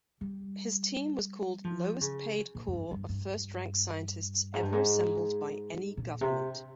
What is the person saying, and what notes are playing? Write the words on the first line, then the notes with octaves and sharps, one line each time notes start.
His team was called lowest-paid corps of first-rank scientists ever assembled by any government.
G3
F3
C#3
A#2
F2
G2
G2
G2
G#2
G2
G#2
A#2
C3